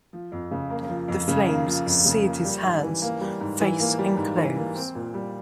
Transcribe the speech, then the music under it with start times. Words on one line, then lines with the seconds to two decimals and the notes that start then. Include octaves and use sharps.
The flames seared his hands, face, and clothes.
0.13 F3
0.32 F2
0.51 C#3
0.70 A#3
0.90 F3
1.08 F2
1.28 C#3
1.47 A#3
1.66 F3
1.86 F2
2.05 C#3
2.25 A#3
2.44 G3
2.63 G#2
2.82 E3
3.02 A#3
3.21 G3
3.40 G#2
3.60 E3
3.79 A#3
3.99 G3
4.17 G#2
4.37 E3
4.57 A#3
4.75 C4
4.95 A#2
5.14 G3